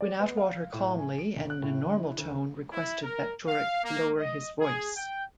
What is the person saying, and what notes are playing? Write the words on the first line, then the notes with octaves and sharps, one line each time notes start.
When Atwater calmly and in a normal tone requested that Turek lower his voice.
D5
B3
F5
A2
G#5
D7
G1
F#6
A2
D3
E4
D2
E4
A#4
F5
A#3
D#5
G#4
G5